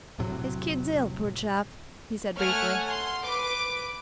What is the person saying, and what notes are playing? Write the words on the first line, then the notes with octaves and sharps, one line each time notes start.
'His kid's ill, poor chap,' he said briefly.
E1 A2 C3 F#3
A3 C#5 F#5 G#5 F6
C6
B4 D6 D7